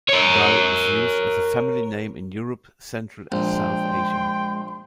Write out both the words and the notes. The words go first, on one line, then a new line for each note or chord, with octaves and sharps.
Gul is used as a family name in Europe, Central and South Asia.
A#4 C#5
A#1 G#3 G5 C6